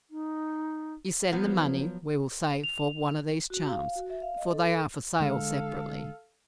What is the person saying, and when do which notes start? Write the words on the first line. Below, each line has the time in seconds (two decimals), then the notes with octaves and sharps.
You send the money, we will say, for one of these charms--for they are for sale separately.
0.10 D#4
1.32 F3 F#3 B3
2.64 F7
3.50 F#4
3.69 F5
3.96 F#4
4.10 E5
4.22 F5
4.37 D#5
4.51 A4
4.63 A4
5.20 D3 G#3 A4 F5